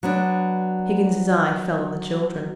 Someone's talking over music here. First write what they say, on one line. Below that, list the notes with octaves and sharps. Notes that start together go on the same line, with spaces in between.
Higgins's eye fell on the children.
F#3 B3 D4